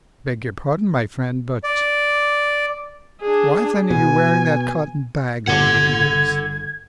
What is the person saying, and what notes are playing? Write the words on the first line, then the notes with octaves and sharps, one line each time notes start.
"I beg your pardon, my friend, but why then are you wearing that cotton bag over your ears?"
D5
D4 G#4
B2 G#5
G1 A4 F#5 G#6